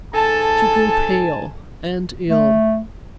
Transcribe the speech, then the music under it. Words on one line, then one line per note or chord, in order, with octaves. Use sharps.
She grew pale and ill.
G#2 A4 G#5 A5
A3